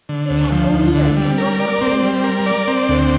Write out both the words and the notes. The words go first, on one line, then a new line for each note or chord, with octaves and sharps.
It had only a single showing.
D3
D2
F3
D2
D3
G3
A#4
D5
C4
G3
A#4
D5
C4
D2